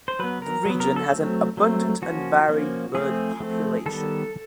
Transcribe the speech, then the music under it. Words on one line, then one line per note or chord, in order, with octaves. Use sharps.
The region has an abundant and varied bird population.
C5
F#3 B3 B4
A#4
F#3 B3
A#4
A4
F#3 A3 C4
F#3 A3 C4
F3 A#3 C#4 F#4
F3 A#3 C#4
F3 A3 C4 G#4
F3 A3 C4
D#3 G3 B3 A4